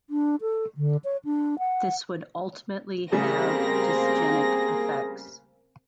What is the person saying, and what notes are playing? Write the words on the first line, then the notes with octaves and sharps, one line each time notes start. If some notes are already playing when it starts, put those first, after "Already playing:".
This would ultimately have dysgenic effects.
D4
A4
D3
C#5
D4
F#5
C#3 G3 A3 A#3 C4 G#4 A#6